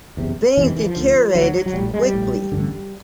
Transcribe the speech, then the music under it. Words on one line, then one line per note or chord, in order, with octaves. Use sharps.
Things deteriorated quickly.
F#1 E2 C3
F#1 E2 C3 E3
D#3
E3
F3
D2 D3
D2 D3 F#3
F#3
F#3
A#1 A2 G3
G#3
G3
A#1 A2
A1 G2 D3